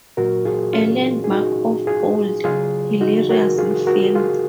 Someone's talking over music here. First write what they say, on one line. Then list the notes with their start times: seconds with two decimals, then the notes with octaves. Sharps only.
A landmark of bold, hilarious filth.
0.17 A#2 F#3 F#4 A#4
0.45 F4 G#4
0.73 C#4 F4
1.24 G#4
1.31 D#4 F#4
1.87 F4 G#4
2.44 C#3 F#3 F4 G#4
3.01 D#4 F#4
3.29 F#4 A#4
3.58 F4 G#4
3.87 F#4 A#4
4.15 F4 G#4